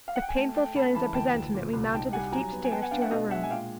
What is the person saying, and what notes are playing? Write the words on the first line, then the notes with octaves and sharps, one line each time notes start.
With painful feelings of presentiment we mounted the steep stairs to her room.
F5
F#5
G5
G#5
A3 G5 A5
A3 G5 A5
C#3 A5 B5
E3 A5 B5
D2 G5 A5
D2
A#2
C2
D#4 G5 A5
G3 F#5 G#5
F#3 G#5 A#5
B3
G#5
B3 G5 A5
F#5 G#5
D4 F5 G5
E5 F#5
B2 D#5 F5
G#3 E5 F#5
G#5
A#2 F5 G5